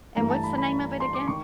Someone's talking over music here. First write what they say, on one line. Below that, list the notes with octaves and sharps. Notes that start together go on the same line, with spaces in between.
And what's the name of it again?
G2 E3 A3 D4 A#5
A5
B5
B5
C6
D6
D#3 C#6